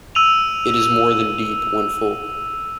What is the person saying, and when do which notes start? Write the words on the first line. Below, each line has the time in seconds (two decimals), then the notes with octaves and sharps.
It is more than deep when full.
0.15 E6 D#7 F7